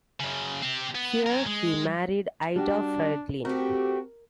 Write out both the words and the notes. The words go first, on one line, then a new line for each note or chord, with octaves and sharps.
Here he married Ida Friedlin.
F#2 C#3
C4 G4
B3
C#4 A#4
G#3
G3 D4 F#4 G4
A3 C4 F#4 G4 A#4